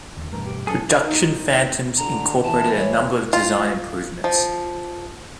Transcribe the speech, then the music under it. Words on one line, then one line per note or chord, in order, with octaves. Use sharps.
Production Phantoms incorporated a number of design improvements.
D#2 D3
G2 B2 E3 A3 A#4
G4
F#2 F#3 C#4 G#4 A4
D#4
D3 A#5
E3 A5
C#5
F4
F3